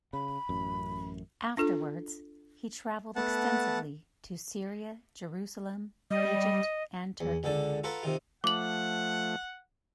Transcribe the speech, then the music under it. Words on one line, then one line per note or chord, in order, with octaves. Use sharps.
Afterwards, he traveled extensively to Syria, Jerusalem, Egypt and Turkey.
C#3 B5
A1 F#2
D4 F4 A4
A3 B3 F#5 A5
G3 D#5
E2
C#2 D3 A4 D5
F4 A4 B4 F#5 A#5
C3 D#3 F4
F3 A3 F#5 D6 F#7